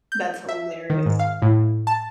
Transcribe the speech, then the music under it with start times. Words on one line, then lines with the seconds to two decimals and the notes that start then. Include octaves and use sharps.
That's hilarious.
0.12 G6
0.49 E5
0.90 D#3
1.06 G#2
1.19 F5
1.42 A2
1.87 A5